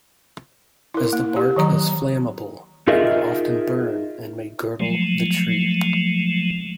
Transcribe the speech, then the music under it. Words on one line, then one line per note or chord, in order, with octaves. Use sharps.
As the bark is flammable it will often burn and may girdle the tree.
E4 A#4
A#3
G4
D#3 E3 F#3 A#5
D#4 F4 G#4 A#4 D#5 E5
F3 F#3 G#3 A3